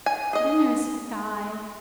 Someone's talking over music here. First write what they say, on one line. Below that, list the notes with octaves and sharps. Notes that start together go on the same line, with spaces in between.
Then there's Guy.
G#5
G#4 D#5